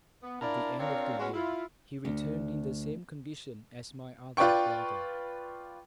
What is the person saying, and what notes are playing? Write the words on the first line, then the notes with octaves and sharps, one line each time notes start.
At the end of the year he returned in the same condition as my other brother.
B3
D4 E4 F4 A#4 D5
C4 D4 F4 A#4 C#5 D5
G#3 B3 C#4 F#4
E4 F4
D2
F4 B4 D5 G5 C#6